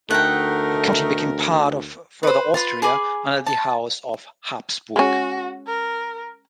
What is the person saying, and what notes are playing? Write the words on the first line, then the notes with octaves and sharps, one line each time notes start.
The county became part of Further Austria under the house of Habsburg.
D2 A3 D#4 A#4 F#5 G5
B4 C5
F4 B4 C6
G#4 G#5 B5 D6
A5
G#3 C#4 F#4
A#4